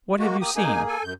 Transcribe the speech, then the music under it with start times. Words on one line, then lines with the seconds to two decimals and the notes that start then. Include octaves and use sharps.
"What have you seen?"
0.19 G#3 A#3 F#4
0.41 A#3 G4 D#6
0.56 A#3 D#4 G#4 G#5
0.87 A4 G#5
1.03 F#2 G6